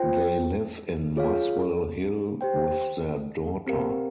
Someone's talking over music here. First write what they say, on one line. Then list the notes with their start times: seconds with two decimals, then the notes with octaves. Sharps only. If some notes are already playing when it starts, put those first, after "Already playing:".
They live in Muswell Hill with their daughter.
Already playing: F4 C5 G5
1.16 F4 G#4 C#5 F5
2.41 G4 C5 G5
3.67 C4 G4 A#4 F5